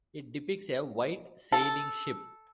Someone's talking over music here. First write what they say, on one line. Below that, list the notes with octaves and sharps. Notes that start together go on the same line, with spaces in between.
It depicts a white sailing ship.
A4